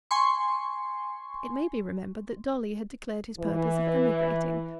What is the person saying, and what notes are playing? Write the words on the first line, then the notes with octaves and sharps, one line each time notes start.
It may be remembered that Dolly had declared his purpose of emigrating.
G#5 C6 C#6
E3